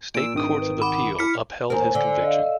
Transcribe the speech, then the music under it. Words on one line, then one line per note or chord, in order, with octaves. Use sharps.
State courts of appeal upheld his conviction.
A#2 E6 D7
G#1 D#3 D4 D#6
B4
F#5 B5 D6
E4 F6 B6 C#7
D#2 A#4 C5 G#5
D3
D#5 F5